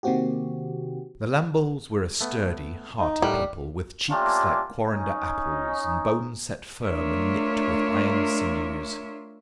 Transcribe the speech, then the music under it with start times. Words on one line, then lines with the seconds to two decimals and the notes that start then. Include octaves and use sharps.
The Lamboles were a sturdy, hearty people, with cheeks like quarrender apples, and bones set firm and knit with iron sinews.
0.03 C3 D#3 A#3 C4 F#4 G4
2.20 A3 B3
3.01 D#4
3.22 A2 G3 A#4 F#5
4.10 A3 A#3 C#4 D4 F4 G4
4.90 C#4 D#4
6.85 A3 D4 F4 A#4 C#5 E5